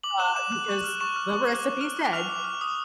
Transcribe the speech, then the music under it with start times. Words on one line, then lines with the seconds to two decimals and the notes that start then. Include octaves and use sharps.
uh, because the recipe said
0.03 D6 F#7
0.20 F#6 E7
0.36 D6 E7
0.52 F#6
0.68 C#6
0.84 F6
1.00 C#6 E7
1.16 F6
1.33 C#6
1.49 F6
1.64 C#6
1.81 F6
1.97 D6
2.13 F6 F7
2.29 D6
2.44 F6
2.61 D#6